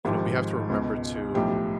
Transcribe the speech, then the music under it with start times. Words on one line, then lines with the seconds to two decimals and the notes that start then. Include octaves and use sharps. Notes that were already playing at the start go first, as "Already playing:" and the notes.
you know, we have to remember to
0.05 G#1 G#2 F3 G4
0.69 C#2 B2
1.34 B1 A2 F3 G4